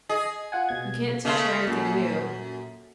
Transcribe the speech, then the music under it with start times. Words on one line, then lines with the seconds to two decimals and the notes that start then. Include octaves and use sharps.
You can't teach her anything new.
0.09 G#4 D#5
0.52 F4 F#5 G#5
0.69 B2 G#6
1.25 C#3 A3 D#5 F5 C6
1.67 F#2 A#2